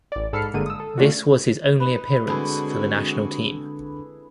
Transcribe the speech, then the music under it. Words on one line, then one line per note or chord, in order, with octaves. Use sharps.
This was his only appearance for the national team.
A1 D5
G#2 A4 B5 F6 C7 C#7
G1 D3 G#3 A#3 D#7
D#6 E6
A4
A3 C#4 D4 F4 F#4
D#4 B4
D3 G#3 C4 E4 F#4 G#4 B4